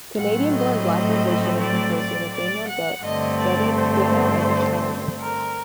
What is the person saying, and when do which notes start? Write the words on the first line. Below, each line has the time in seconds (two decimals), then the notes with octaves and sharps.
Canadian-born Black musician and composer Nathaniel Dett studied piano as a child.
0.18 A2 F#3 A3 C4 F#5
0.54 D#5
1.62 D5
1.98 D5
2.34 D5
2.69 F#5
3.05 G2 D3 A3 C4 D#5
3.41 D5
3.77 C5
5.21 A#4